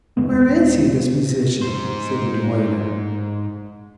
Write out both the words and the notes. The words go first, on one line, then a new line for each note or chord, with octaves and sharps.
"Where is he, this musician?" said the duena.
D#1 D#2 G#3 B3
G#2 C5